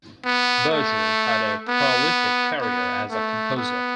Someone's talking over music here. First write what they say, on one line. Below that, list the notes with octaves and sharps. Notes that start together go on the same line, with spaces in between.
Berger had a prolific career as a composer.
B3
A3
B3
B3
A3
B3